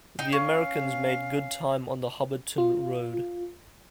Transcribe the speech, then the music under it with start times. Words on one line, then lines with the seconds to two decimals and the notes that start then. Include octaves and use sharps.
The Americans made good time on the Hubbardton road.
0.19 D#4 G5
0.33 C#4 F5
2.58 F4